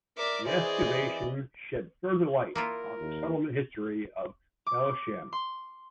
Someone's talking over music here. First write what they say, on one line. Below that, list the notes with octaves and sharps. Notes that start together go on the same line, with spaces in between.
The excavation shed further light on the settlement history of Tel Shem.
A#4 D5 E5 D6
E3 G#4 C5 D5 D#5
E3
A#3 E4 F4 A#4
D#2
D6
C6